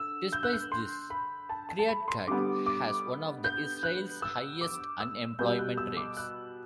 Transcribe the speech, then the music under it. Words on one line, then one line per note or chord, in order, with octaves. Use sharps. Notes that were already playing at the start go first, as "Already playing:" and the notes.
Despite this, Kiryat Gat has one of Israel's highest unemployment rates.
Already playing: D3 E6
G6
F#6
G6
C6
B5
A5
A5
A5
B5
C6
D3 G3 B3 D6
D6
G6
F#6
E6
D6
E6
B2 G3 B3 G6
F#6
E6
D6
F#6